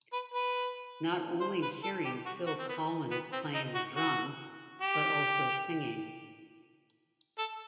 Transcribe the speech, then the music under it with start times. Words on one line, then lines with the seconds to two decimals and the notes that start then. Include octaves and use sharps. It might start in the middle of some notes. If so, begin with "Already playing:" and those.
Not only hearing Phil Collins playing the drums, but also singing.
0.13 B4
0.34 B4
1.41 C5
1.62 B4
1.83 A4
2.05 G4
2.26 F#4
2.47 F#4
2.59 C4
2.69 B3
3.11 B3
3.32 C4
3.54 D#4
3.75 F#4
3.96 F#4
4.82 G4
7.38 A4